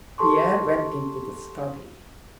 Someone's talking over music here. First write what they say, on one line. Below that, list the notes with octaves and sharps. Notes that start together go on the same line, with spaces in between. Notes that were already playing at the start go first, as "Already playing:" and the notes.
Pierre went into the study.
G4 A4 A5 C6 C#6